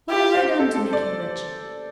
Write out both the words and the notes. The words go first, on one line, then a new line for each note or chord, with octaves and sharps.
"What have I done to make you wretched?"
G4
C5
A4
A4
D5